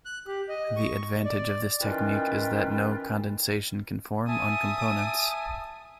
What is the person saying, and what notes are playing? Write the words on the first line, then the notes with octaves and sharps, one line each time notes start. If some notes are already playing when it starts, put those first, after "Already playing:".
The advantage of this technique is that no condensation can form on components.
F#6
G4
D#5
C#6
D5
D#3 E3 C#4 F4 B4 G5
E5 G#5 A5 D#6